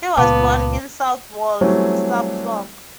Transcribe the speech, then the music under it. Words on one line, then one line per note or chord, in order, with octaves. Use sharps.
He was born in Southwold, Suffolk.
C#2 A#2 B3 F5 A5 D6
E3 F#3 G3 A3 C4 C#4